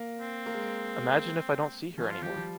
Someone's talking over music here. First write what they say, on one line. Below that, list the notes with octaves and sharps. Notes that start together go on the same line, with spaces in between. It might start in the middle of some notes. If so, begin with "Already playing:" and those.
Imagine if I don’t see her anymore.
Already playing: A#3
C4
A#3
G#3
F3 C#4
F4
F3 G4
G3
F3